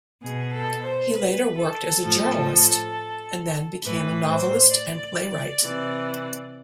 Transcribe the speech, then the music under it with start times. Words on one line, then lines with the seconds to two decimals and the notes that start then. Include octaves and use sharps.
He later worked as a journalist, and then became a novelist and playwright.
0.22 B2 G#4
0.52 A4
0.83 C5
1.13 B4
1.58 A4
2.03 A2 F3
3.82 A2 E3 B4
4.28 C5
4.73 D5
5.63 C3 E3